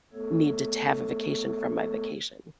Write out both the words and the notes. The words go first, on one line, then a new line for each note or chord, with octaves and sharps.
need to to have a vacation from my vacation.
A3 B3 A4 C#5